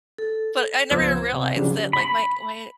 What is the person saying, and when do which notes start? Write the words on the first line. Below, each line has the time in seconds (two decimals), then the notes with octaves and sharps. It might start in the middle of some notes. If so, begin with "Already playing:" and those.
But I never even realized that, like my my
0.18 A4
0.91 C#2 F3 B3 C5 E6 G#6
1.33 C3
1.56 C#3 F3 F#3 C#4 D4 G4
1.93 B5